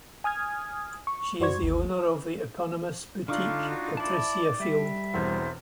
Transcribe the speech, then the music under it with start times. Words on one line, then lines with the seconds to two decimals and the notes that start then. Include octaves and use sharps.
She is the owner of the eponymous boutique Patricia Field.
0.24 G#5 D#6 F6 G#6
1.07 C#6
1.40 F#2 F#4 C5 D5 C#6 G#6
1.62 G#1 D#2
3.28 D3 D4 D#4 F4 F5 C#6 D6
3.69 F#4
3.97 E4 D5 A5
4.60 G3 E5 B5
5.14 E1 E2 C4 C5